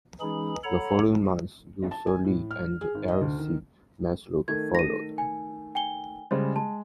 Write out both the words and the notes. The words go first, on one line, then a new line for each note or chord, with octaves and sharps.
The following month Luther Lee and L. C. Matlock followed.
E3 G#3 C#4 D#4 G#4 B5
A4 C#5 F#5 A#5 B5
A5
G#5
A2
F6
G#4
G#1
D#5
D2
D#3
D#3 A3 G#6
A#6 D#7
G#5
G5 G#5 G7
C#3 G3 G#3 C5
G#3 A5